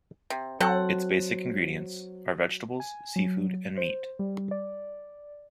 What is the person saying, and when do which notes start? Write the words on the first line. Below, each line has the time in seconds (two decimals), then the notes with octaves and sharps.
Its basic ingredients are vegetables, seafood and meat.
0.30 C3
0.60 F#3 C4 A4 F#5
2.80 G#5
3.16 F#3
3.77 C5
4.19 G3
4.51 D5